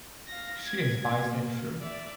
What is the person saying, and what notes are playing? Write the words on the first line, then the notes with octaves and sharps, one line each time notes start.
She is bisexual.
F5 A#6
G#6
A#3
D5 E5